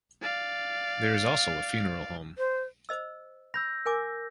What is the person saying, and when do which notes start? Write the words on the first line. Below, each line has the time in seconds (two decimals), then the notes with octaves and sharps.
There is also a funeral home.
0.22 D5 F5
2.38 C5
2.89 C5 D#5 E6
3.54 B5 E6 G6 A#6
3.86 A#4 G#5 D6